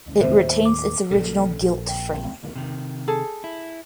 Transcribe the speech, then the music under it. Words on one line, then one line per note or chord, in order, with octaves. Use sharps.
It retains its original gilt frame.
D#2 A2 C5 E5
D6
A#1 A#2 C#3 A4
A#1
G5
C3 D#3
G#4 A4
E4